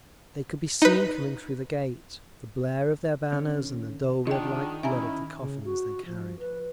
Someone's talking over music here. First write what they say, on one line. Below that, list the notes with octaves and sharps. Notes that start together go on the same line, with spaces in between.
They could be seen coming through the Gate, the blare of their banners, and the dull red--like blood--of the coffins they carried.
D#4 B4
D3 D#3 C#4
D#3 D4 F4 G#4 D#5 F#5 G5
C#4 E4 E5 G#5 A#5
C#3
F#4
F3
B4